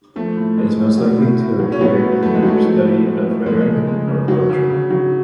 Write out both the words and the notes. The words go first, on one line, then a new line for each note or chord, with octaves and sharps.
It is most likely to appear in a study of rhetoric or poetry.
F3 A3
A2
G#3
A2
F#3
A2
A2
F#3
C#4
F#3 B3
A2
A2 A3
G#3
F#3 A3
F3
A2
G#3
A2
F3 G#3
A3
G#3
C#3
G#3
C#3
F#3
C#3
C#3
F#3